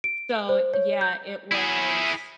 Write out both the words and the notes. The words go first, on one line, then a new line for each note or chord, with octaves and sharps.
so, yeah, it was,
D7
C5
C#5
G6
E4 G#4